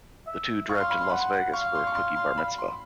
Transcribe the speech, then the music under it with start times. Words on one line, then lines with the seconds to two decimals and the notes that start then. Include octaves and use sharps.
The two drive to Las Vegas for a quickie Bar Mitzvah.
0.27 E5
0.69 F5 C#6
0.80 C6
0.90 B5
1.01 C6
1.09 F#5 B5
1.18 C6
1.53 F5 C#6
1.75 C6
1.87 C#6
1.95 C6
2.16 C6
2.38 B5
2.58 C6